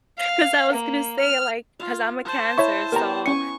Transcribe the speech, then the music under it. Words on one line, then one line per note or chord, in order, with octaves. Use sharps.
'Cause I was gonna say like cause I'm a Cancer, so
F5
A#3
F6
F4 F5
C5 A5
E4 C#5 E5 F5 C#6
B3 G4 A#4 C#5 A#5
C#4 G#5 C#6 C#7